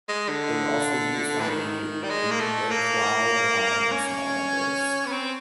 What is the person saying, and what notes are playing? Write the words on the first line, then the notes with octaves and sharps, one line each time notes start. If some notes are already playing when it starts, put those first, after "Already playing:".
They were also used on the Inverclyde Line in small numbers.
G#3
D3
E3
D#3
G3
G#3
A#3
A3
A#3
C#4
B3
C4